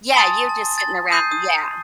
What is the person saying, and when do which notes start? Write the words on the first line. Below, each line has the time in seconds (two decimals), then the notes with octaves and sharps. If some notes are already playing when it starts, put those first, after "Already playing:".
Yeah you're just sitting around, yeah.
0.14 G#5 A5 C6 D#6 A6
0.49 A5
0.78 A6
1.12 D#6 G6 C7 D#7
1.32 D#6